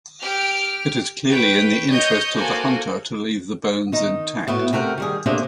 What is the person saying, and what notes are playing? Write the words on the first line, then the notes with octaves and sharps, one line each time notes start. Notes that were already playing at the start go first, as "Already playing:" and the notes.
It is clearly in the interest of the hunter to leave the bones intact.
G4 F6 D7
B4 C#5 G5 D7
C#5 D#5 G6
A#3 F#4 A4 C5 G#5
D#3 D#4
A2 B3 F#4
C3 A3 A#4 F#5 G5
D#3 G3 G#4
C3 A3 A#3 C#4 D4 G#4